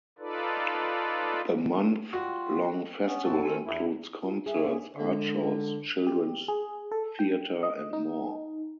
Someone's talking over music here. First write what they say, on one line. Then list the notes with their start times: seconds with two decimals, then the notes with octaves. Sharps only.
The month-long festival includes concerts, art shows, children's theatre, and more.
0.19 D#4 F4 A4 B4 D5
2.13 G3 F4 F#4
3.06 B3 C#4
3.24 E2 A2 C4 F#4 A5
3.42 D#3 C4 A4 G#5
3.65 E2 E4
4.22 F4
4.46 G#4 E5
4.65 A#3 C#4 G#4
4.97 D3 G#3
6.07 G4
6.48 G#4
6.91 A4
7.19 G5
7.63 D#5
7.93 D#4